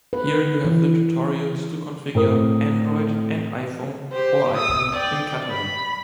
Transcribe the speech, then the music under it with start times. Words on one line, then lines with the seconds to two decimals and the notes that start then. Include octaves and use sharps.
Here you have the tutorials to configure Android and iPhone or iPad in Catalan.
0.13 B4
0.64 E3
2.15 A2 C4 A#4 D#6
4.12 G4 C5
4.56 D#6 E6
4.93 D5 G5
5.50 B5